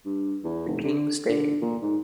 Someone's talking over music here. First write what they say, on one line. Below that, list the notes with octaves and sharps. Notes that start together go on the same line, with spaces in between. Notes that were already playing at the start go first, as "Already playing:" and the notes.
The King stayed.
G2
E2
F1
D3
D3
A#2
G#2